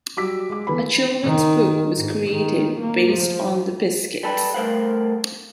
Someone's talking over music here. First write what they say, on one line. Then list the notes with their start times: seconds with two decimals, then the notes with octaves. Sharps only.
A children's book was created based on "The Biskitts".
0.17 F#3 G3 D6 E6 B6
0.50 G#3 D6
0.67 E2 A4 B4 B5
1.24 D#3
1.96 G#2
2.30 D#3
2.80 A#3
3.12 F3
4.23 G3 A4 B4
4.54 G3 A3 A#4 C5 F5 F#5